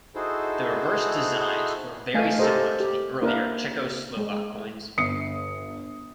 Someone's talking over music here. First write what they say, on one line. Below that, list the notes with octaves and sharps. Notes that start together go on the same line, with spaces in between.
The reverse designs were very similar to the earlier Czechoslovak coins.
D#4 E4 F#4 G#4 A4 C5
A3 D#5 F5 G5 G#5
G4 A4 A#4 C5 D#5
G4
A#3 D4 E4 A#4 B4
G#3
G1 D#6 C7 C#7